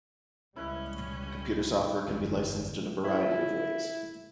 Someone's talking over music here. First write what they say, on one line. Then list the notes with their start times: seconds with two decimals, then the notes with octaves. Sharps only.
Computer software can be licensed in a variety of ways.
0.56 C#2 G3 C#4 E4 B4 D#5
2.08 G1 F2 E3 C#4
3.05 E4